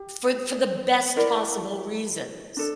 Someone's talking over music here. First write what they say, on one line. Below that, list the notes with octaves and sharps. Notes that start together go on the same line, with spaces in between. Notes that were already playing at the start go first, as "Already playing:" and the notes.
for for the best possible reasons.
Already playing: G4
E4 A#4 D5
D4 A4